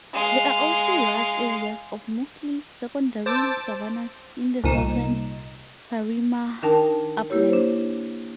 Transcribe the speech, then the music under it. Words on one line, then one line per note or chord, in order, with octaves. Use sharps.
There are also large areas of mostly secondary savannas in the southern Parima uplands.
G#3 F5
C5 A5 D6 E6 A6
C2 A#2 D#4 E7
D#3 D4 D#4 A#4 G5 A5
A#3 E4 G4 C#5
D4 C5